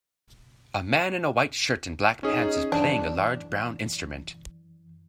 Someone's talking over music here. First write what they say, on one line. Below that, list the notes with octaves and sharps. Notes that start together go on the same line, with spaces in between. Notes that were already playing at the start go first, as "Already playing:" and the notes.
A man in a white shirt and black pants is playing a large brown instrument.
C#4 D#4 G#4
F#2 E3 D4